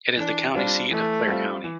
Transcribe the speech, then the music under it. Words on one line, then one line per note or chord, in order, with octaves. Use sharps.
It is the county seat of Clare County.
E3 D4
G3 C4 D4 F4
E3 A3
G3 C4 F4
E3